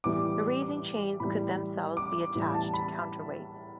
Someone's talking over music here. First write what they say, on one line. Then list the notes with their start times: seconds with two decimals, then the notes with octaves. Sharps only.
The raising chains could themselves be attached to counterweights.
0.04 A2 E3 G3 D6
0.62 D6
1.20 A2 E3 G3 B5
1.97 D6
2.35 A2 E3 G3
2.54 A5
2.74 B5